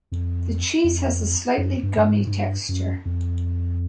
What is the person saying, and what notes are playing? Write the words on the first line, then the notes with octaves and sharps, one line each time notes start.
The cheese has a slightly gummy texture.
F2
F2
F#2
G2
G2
G#2
G#2
G2
F#2
F2